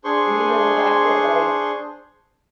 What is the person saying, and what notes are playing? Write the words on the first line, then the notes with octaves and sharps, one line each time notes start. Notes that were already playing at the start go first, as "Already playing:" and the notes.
And you know the fact that, like,
D4 G#4 C5 C6 C#6